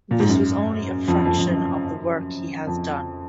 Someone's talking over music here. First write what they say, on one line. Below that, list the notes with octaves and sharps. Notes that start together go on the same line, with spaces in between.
This was only a fraction of the work he has done.
A#2
G#2
F#2
F2
F2
F2
F#2
F2